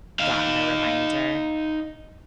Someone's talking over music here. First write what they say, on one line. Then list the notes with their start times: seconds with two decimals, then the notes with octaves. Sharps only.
gotten the reminder
0.20 D#4 F5